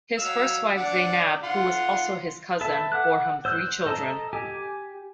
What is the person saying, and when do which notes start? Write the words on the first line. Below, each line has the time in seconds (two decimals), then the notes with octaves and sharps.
His first wife Zeynab, who was also his cousin, bore him three children.
0.18 F#3 F5 E6
0.76 D4 D5 F#5
1.43 F4 F#5 C6
2.61 A4 B4 E5 A5
2.92 F#5 D6 F#6
3.45 C5 E6 F#6 G6
3.86 A4 D#5 A5 A#5
4.33 G4 G#5 D6